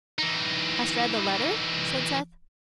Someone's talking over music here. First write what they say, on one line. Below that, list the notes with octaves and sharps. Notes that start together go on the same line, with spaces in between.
"Hast read the letter?" said Seth.
E3 D#4